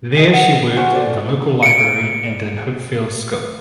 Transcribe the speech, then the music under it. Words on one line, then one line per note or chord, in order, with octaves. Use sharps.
There she worked in the local library and in Hopefield School.
D#5 G#5
F#5
F4 F#4 C5 G#5
A4 D5
C#7 D7